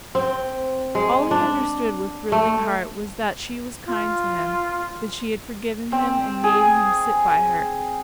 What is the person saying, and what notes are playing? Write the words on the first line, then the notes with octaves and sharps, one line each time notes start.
All he understood, with thrilling heart, was that she was kind to him, that she had forgiven him, and made him sit by her.
C4
G#3
D4
A3
F4
C4
G#4